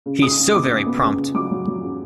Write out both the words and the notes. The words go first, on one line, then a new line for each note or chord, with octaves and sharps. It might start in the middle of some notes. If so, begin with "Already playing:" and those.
He's so very prompt!
C#3
C#3 D#6
C#3
B3 D6
C#3
B3
C#3
C#3
F#3 D6
F#3
F#3
C#3